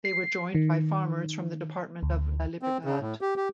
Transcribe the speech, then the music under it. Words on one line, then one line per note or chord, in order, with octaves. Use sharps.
They were joined by farmers from the department of La Libertad.
C7
D#3
D2
C4
C#3
A2
G4
G4